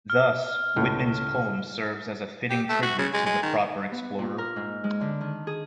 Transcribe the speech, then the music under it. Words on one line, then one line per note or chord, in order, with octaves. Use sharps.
Thus, Whitman's poem serves as a fitting tribute to the proper explorer.
F6
C#2 A2
G4
A3
F#4
C#3
G#3
G#3
D#3
B3
A#2
A#4
G#2
G#3
D3
D#3
G#4